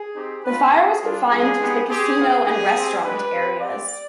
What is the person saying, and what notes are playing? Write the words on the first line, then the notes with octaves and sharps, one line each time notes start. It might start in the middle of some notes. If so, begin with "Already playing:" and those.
The fire was confined to the casino and restaurant areas.
Already playing: G#4
C4 D#4 G4
B3 D4 F4 B4
C4 F4 G#4
G3 D4 F4
G3 D4 F4 G#4
G#3 B3 D#4 G4
C4 G4 G#4
B3 F4
B3 D#4 G4 G#4
C4 G4
G#3 D4 G4 B4
C4 G4
C4 G4 D5